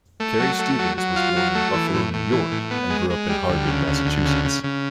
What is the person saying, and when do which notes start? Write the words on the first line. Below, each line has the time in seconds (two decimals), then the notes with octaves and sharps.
Carrie Stevens was born in Buffalo, New York and grew up in Hardwick, Massachusetts.
0.20 A3
0.40 F#3
0.59 A3
0.79 F#3
0.97 F#3
1.16 F4
1.36 F#3
1.55 A3
1.74 E3
1.94 A2
2.14 A2
2.32 E3
2.52 A2
2.71 B3
2.90 G#3
3.10 G#3
3.29 G3
3.49 D2
3.68 C#3
3.87 D2
4.05 D2
4.25 C#3
4.45 C#3
4.63 C#3